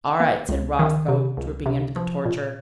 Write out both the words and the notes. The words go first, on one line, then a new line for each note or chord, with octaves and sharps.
"All right," said Roscoe, drooping under the torture.
A#3
C#2
D#3
C3
C#2
C3
F3
A#2